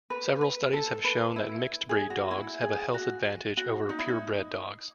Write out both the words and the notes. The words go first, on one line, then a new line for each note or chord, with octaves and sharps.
Several studies have shown that mixed-breed dogs have a health advantage over pure-bred dogs.
B4
B4
A4
B4
E4
G#4
F#4
E4
G#4
F#4
F#4
D#4
E4
D#4